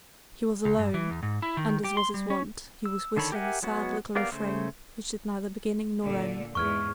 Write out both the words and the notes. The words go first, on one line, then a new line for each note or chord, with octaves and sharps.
He was alone, and, as was his wont, he was whistling a sad little refrain which had neither beginning nor end.
C#2
G2
E3
E2
G#2
E4
D#3
G4
C6
G3
C#4
E6
D3 D#3 A4 C#5 B5
G4 A#4 E5 F#5 G#5
F#3 G#3 B3 F#4
B3 G4 A#4 D5 F5
C#3 A3 C5
A#2 D3
E2 G#2 C#6 F6 G#6